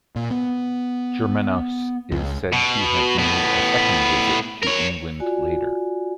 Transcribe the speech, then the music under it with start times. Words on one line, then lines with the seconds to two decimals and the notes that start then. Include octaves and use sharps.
Germanus is said to have made a second visit to England later.
0.16 A#2
0.31 B3
2.11 C#2
2.53 B2
3.18 A2 B3
4.63 A#4 C#5
5.20 F4 F#4 D5 G#5